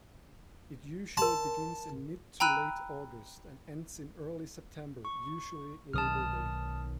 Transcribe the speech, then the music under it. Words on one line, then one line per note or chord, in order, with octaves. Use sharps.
It usually begins in mid-to-late August, and ends in early September, usually Labour Day.
A#4 A5 C6
G5 A#5 B5 E6 F#6 D#7
C#6
B1 D#3 F#3 A5 D#6 F6